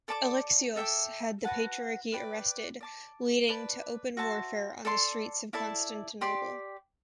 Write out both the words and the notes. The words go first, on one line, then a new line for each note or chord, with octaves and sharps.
Alexios had the patriarch arrested, leading to open warfare on the streets of Constantinople.
A4 D5 A5 D6
A4 E5 G5 D6
F#4 B4 F#5 A5
B4 D5 G5
D5 A5 D6
B4 D5 A5
F#4 C5 E5 A5
A4 D5 A5 C6
E4 A4 D5 A5
G4 D5 G5 C6